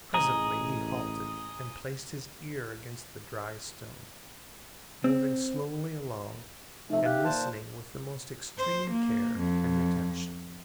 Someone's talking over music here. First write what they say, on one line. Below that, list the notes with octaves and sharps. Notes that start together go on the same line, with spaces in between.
Presently he halted and placed his ear against the dry stone, moving slowly along and listening with the most extreme care and attention.
A1 G#4 D#5 A#5
C4
C3 F3 A3 D#4 E5
G4 F5 F#6
A#2 C5 A5
C5
A#3
F2